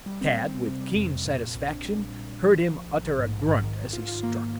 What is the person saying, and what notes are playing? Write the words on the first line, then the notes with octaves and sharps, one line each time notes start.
Tad, with keen satisfaction, heard him utter a grunt as he struck.
G3
C4
C4
C4
C3
G3
F2
C4
A#2
A#2
A#1
D4
G3
A#1
A#1
A#1
F3
A#1
A#1
A#1
A#1
G#2
A#1
G#2
D#3
D#3
F4
F4
A#3
A#3